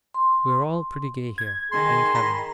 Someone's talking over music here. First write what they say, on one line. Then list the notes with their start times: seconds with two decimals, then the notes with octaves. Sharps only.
'We are all pretty gay here, thank Heaven!
0.14 C6
1.38 G#6
1.72 D#3 G#4 C6
2.15 A#5 B5